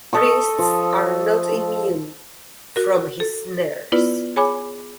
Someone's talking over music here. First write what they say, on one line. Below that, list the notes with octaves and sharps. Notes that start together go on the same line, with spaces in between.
Priests are not immune from his snares.
A4 D#5 C#6
F3
F#4 A#4
A4
B3 E4 F4 B4 D5
G#4 C#5 G#5 B5 D6